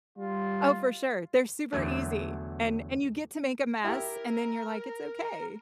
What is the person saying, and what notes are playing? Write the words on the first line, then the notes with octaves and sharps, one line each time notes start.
Oh, for sure, they're super easy, and and you get to make a mess, and then you're like, "It's okay.
G3 F4
E2 D3 F#3 A3
E4 G4 A#4